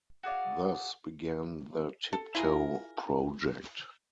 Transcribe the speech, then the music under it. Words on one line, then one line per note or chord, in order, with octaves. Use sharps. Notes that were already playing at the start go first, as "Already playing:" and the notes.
Thus began the Tip Tow project.
F#4 G#4 D5 F5
A4
E4 F4 G#4 A#4